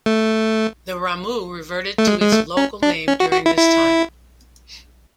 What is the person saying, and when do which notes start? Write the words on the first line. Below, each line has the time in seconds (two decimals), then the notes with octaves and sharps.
The Ramu reverted to its local name during this time.
0.06 A3
1.98 A3
2.07 G#3
2.22 G#3
2.32 A3
2.57 C#4
2.82 D4
3.08 C#4
3.20 F#4
3.32 F#4
3.46 E4
3.57 E4